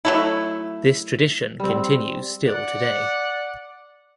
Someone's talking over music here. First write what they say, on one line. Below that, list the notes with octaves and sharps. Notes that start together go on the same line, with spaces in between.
This tradition continues still today.
F#3 A3 E4
G3 C4
D5 F#5